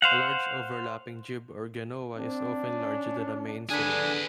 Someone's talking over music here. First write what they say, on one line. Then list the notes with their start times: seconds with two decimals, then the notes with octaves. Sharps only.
A large overlapping jib or genoa is often larger than the mainsail.
0.02 C5 F5 F#5
2.17 C4 D4
2.65 C#4
3.70 D3 D4 G#4 B4 G#5